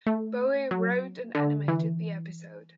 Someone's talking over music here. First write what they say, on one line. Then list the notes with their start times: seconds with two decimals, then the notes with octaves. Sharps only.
Boe wrote and animated the episode.
0.07 A3
0.71 F#3
1.35 D3
1.68 E3